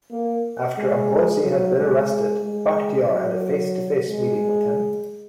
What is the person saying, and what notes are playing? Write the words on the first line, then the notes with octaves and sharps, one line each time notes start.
After Amrozi had been arrested Bachtiar had a face-to-face meeting with him.
A#3
G#3
F#3
G#3
G#3
F#3
G#3